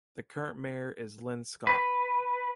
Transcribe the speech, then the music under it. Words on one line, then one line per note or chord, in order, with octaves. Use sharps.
The current mayor is Lynn Scott.
B4